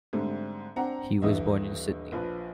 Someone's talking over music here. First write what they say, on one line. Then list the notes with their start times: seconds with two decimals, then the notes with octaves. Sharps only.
He was born in Sydney.
0.13 G#2 D3 G3 A3 C4
0.76 C4 D4 F#5 A#5
1.22 D#1 G2 E3 D#5 E5
2.12 A#1 F3 B4